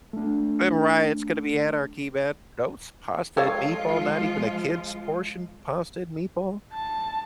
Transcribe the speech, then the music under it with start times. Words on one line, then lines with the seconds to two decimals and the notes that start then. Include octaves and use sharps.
The riot's gonna be anarchy, man, "Those pasta and meatball not even a kid's portion of pasta and meatball?"
0.13 A3 D4
3.37 F3 G#3 F4 A4 C#5 F5
6.73 A5